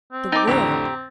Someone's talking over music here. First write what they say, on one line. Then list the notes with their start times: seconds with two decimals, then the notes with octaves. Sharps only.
The world!
0.13 C4
0.32 D#4 G5 D6 A6 A#6
0.47 F2 A2 D3 G4 A#5